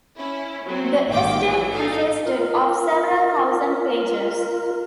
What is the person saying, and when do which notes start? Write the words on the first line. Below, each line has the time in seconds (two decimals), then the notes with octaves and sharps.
The estate consisted of several thousand pages.
0.17 C#4 E4
0.64 F#3 C4
1.10 A1 G#2 D#3 A#3 G5 D6
1.41 E3 F#3
1.72 D#4 A4 F5
2.26 F4 A#4